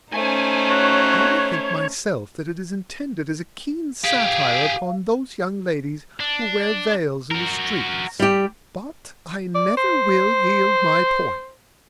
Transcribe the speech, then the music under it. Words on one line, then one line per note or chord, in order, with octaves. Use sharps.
I think, myself, that it is intended as a keen satire upon those young ladies who wear veils in the streets; but I never will yield my point.
A3 C#4 D#4 C5 G#5
F#4 C#5
G4 G#4 F5
D4
F#4 A#4
G3 G4
D5
C5